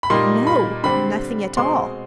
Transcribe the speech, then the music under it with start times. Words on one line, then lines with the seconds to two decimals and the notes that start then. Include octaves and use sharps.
"No, nothing at all."
0.03 B5
0.10 A#2 G3 A#3 D#4 C6
0.47 B5
0.83 D3 G3 C4 B5
1.57 B2 G#3 C4 C6